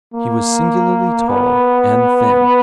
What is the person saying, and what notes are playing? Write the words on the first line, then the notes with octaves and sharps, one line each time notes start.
He was singularly tall and thin.
A#3
B3